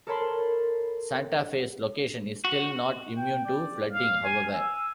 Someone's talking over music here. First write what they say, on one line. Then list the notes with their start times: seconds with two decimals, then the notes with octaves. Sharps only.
Santa Fe's location is still not immune to flooding, however.
0.07 A4 A#4 C#5 A5 B5 C6
2.45 F#4
3.17 G5
3.45 D5
3.91 F5
4.25 G#5
4.55 E6